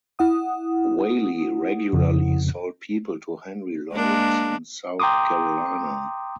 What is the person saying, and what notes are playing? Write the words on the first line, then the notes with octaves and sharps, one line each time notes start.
Whaley regularly sold people to Henry Laurens in South Carolina.
E4 F#5 D#6
F2 C#3
G#3 A#3 D4
G5 A#5 C6 D6 D#6